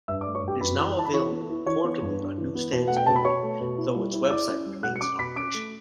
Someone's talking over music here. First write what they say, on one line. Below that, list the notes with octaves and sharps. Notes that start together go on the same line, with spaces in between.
It is now available quarterly on newsstands only, though its website remains in operation.
G2 E5 E6
D5 D6
A3
C#5 C#6
G2 G4 G5
F#2 B4 B5
E3
E4 A5
B5
E3 C#5 C#6
B3
E4
E3 C#5 C#6
B3
G2
D4
E3
B3
B2
A3 F#5
G5
B2 A5
B5
B2 C#5 C#6
A3
B2
E4
G3
E4
E6
E4 D5 D6
C#4
G3
B2 F#5 F#6
C#7
C#4 D6 D7
B2 B5 B6
C#4 D6 D7
A3